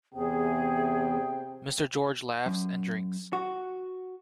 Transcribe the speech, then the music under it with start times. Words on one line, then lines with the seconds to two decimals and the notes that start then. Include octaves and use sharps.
Mr. George laughs and drinks.
0.14 E2 C3 G#4 G5
2.46 F#2
3.33 F#4